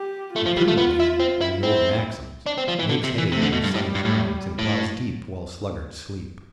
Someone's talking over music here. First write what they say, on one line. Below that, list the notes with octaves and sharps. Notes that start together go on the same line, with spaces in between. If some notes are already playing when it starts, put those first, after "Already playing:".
The prudent man, in the old maxims, makes hay while the sun shines and ploughs deep while sluggards sleep.
Already playing: G4
A3 F4
F3
G3
A3
B3
E4
C4
E4
C4 E4
D4
C4
F3
E3
D3
C3
E3
C3 A3
D3
B2
G2
A2 G3
G2
A2
A2